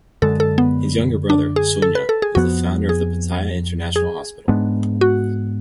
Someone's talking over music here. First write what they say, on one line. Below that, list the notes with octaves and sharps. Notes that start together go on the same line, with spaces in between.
His younger brother, Sunya, is the founder of the Pattaya International Hospital.
F#2 D3 G#3 A4
A4
B3
D4
G#4
A4
B4
A4
G#4
F2 F3 B3 F#4
G#4
G#4
G#2 G#3 B3 D4
F#4